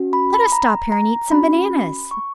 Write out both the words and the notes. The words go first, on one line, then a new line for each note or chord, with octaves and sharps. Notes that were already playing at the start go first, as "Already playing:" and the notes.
Let us stop here and eat some bananas.
Already playing: C#4 F#4
B5
B5
A#5
A#5
C#4 F#4 B5
C#6